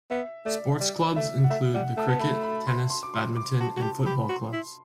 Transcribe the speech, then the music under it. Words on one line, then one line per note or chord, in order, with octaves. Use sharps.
Sports clubs include the cricket, tennis, badminton and football clubs.
B3 E5
A3 D5
G3 D5
A3 E5
F#5
A3 E5
G3 F#5
A3 A5
B3 A5
A3 B5
B5
C6
C6
D6
C6
D6
F#4 A5
F#4
G4 A5
G4 B5
F#4 C6
E4